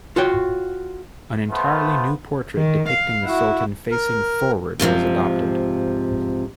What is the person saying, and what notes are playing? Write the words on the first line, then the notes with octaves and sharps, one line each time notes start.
An entirely new portrait depicting the Sultan facing forward was adopted.
F4 F#4 C#5 G5
A3 B3 F4 C5
D#3
F5
E4 F#4
A#4
G#2 C3 D#3 F3